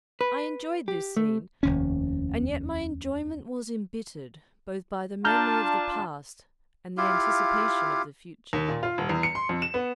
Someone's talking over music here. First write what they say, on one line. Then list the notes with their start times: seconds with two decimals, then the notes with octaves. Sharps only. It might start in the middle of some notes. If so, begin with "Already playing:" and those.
I enjoyed this scene, and yet my enjoyment was embittered both by the memory of the past and the anticipation of the future.
0.21 B4
0.88 G4
1.17 A3
1.63 F1 D#2 C#4
5.24 D4 F4 A5 A#5 F6 G6
6.98 E4 F4 G4 F5
8.53 D#2
8.68 A#2
8.83 F4
8.98 D#1
9.09 E2
9.23 C#7
9.35 C6
9.49 F2
9.62 E7
9.74 B3